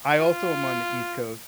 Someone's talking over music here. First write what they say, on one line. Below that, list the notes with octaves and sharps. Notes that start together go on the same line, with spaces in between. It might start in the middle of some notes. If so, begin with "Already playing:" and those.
I also am on the East Coast, t
F4